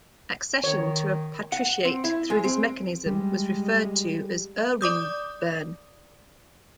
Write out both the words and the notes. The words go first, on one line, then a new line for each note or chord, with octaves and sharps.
Accession to a patriciate through this mechanism was referred to as erweibern.
D#3 C#5
F#5
C4
E4
G#3
C4
G3 G#3
D5 D6 D#6 G6